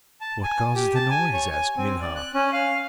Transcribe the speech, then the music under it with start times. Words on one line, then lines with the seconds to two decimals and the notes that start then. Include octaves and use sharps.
"What causes the noise?" asked Minha.
0.21 A5
0.43 G#5
0.75 G4
0.95 A5
1.10 G#5
1.34 C#5
1.50 G#5
1.77 C4
2.01 D5
2.16 F#6
2.34 C#4
2.53 F5